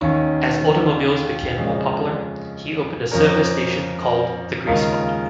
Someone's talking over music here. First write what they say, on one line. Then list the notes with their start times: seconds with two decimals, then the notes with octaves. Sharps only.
As automobiles became more popular, he opened a service station called The Grease Spot.
0.01 D#2 D#3 C#4
1.57 F2 C#3 G#3 C#4
3.11 F2 F3 C#4 A#4
4.67 D#2 C#3 G#3 F4 A#4